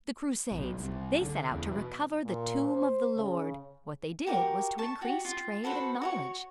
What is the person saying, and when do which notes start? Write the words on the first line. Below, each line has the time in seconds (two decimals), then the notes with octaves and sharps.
The Crusades--they set out to recover the tomb of the Lord!--what they did was to increase trade and knowledge.
0.52 B1
0.79 C2
1.21 D3
1.51 E2
1.69 B2
2.25 A#2
2.63 C5
3.16 C#3
4.26 F#4 G4 A#4 D6
4.78 A5 C#6
5.01 F#4 G4
5.25 F4
5.64 F#4 A4 B4 C5
6.02 F#4 C#5 C#6